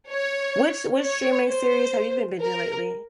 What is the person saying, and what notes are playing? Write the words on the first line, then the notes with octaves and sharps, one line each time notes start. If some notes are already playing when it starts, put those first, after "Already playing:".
which which streaming series have you been binging lately?
C#5
C#5
C5
A#4